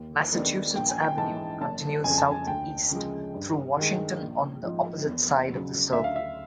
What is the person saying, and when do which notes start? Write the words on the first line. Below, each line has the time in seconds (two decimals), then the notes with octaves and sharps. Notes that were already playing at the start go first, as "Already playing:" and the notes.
Massachusetts Avenue continues southeast through Washington on the opposite side of the circle.
Already playing: D#2
0.32 D#3 G#3 B3 D4
0.75 A#1 G5
0.89 G#5
1.02 G5
1.18 G#2 E3 A5
1.61 F#1 A5
2.04 F2 C#3 G#5
2.18 A5
2.31 G#5
2.47 D2 G5
2.91 C#3 F3 G#3
3.34 G2
3.77 D#3 G#3
4.20 A#1
4.63 G#2 F3
5.06 E2
5.50 C#3 F#3
5.92 D2 E5
6.04 F5
6.16 E5